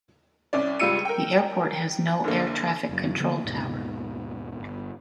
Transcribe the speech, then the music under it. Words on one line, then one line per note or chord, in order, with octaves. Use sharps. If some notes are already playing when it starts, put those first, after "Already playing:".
The airport has no Air Traffic Control Tower.
C2 C#4 D5
C#2 G3 F4 E6 C#7 D#7
A#4 G5
F#1 D3 A#3
F#1 F#2
D3 F3 A#3 B3
D#2 G#2 B2
G1